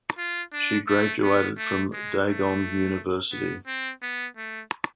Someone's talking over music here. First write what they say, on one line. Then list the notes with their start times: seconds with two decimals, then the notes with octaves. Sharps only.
She graduated from Dagon University.
0.18 F4
0.53 D4
0.88 A3
1.23 B3
1.57 A3
1.93 G#3
2.27 A3
3.32 B3
3.67 C4
4.02 B3
4.37 A3